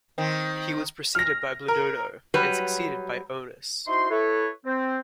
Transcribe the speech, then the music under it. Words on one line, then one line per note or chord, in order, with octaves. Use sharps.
He was preceded by Bledudo and succeeded by Oenus.
D#3 C4
F6 A#6
A#4
F#3 G3 B4
D#4 E4 F#4 C5 C6
E4 A4 B4 C#5
C4